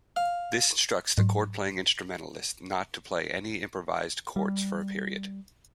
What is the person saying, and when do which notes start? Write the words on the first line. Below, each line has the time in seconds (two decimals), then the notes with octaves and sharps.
This instructs the chord-playing instrumentalist not to play any improvised chords for a period.
0.16 F5
1.18 G#2 F#3
4.36 G3